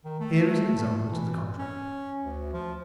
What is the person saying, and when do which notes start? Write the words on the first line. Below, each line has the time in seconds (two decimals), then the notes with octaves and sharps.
Here is an example to the contrary.
0.04 D#3
0.20 A3
0.77 A3
1.11 E3
1.58 C#4
2.23 D2
2.53 F3